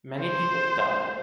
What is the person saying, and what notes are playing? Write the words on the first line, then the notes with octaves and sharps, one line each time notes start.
Many people died.
C5